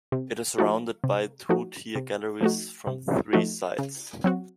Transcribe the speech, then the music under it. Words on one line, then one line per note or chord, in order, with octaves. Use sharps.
It is surrounded by two-tier galleries from three sides.
C3
F3 A3 D#4 F#4
C3
F3 A3 D#4 F#4
C3
F3 A3 D#4 F#4
C3
F3 A3 D#4 F#4
C#3
F#3 C4 F#4